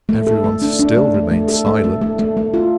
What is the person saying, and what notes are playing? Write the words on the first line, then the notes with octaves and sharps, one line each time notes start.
Every one still remained silent.
A3
A4
A3
D4
D4
A3
A3
A3
A4
A3
A3
A3
A3
A3
F4